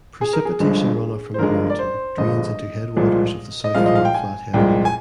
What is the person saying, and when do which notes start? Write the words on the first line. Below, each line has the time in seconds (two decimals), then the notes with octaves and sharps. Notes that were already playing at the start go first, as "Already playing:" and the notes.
Precipitation runoff from the mountain drains into headwaters of the South Fork Flathead River.
0.21 G#4
0.33 A#4
0.45 G#4
0.60 G1 G2 F3 G#3
1.34 C5
1.38 G1 G2 F3 G#3 A#4
1.70 D5
1.79 C5
2.17 G1 G2 F3 G#3 D#5
2.96 C2 A#2 F3 G#3
3.64 D#5
3.75 C2 A#2 F3 G#3 F5
3.86 D#5
3.95 F5
4.05 G5
4.14 G#5
4.53 C2 A#2 F3 G#3 G5
4.85 G#5